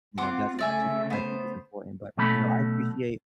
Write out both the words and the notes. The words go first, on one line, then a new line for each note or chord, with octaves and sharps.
you know, that's that's just what I think is important, but, you know, I appreciate
C4 F4 F#5 C6 D6
C#3 A3 D5 E5 G#5
B3 C5
B2 F#3 A3 C#4 B5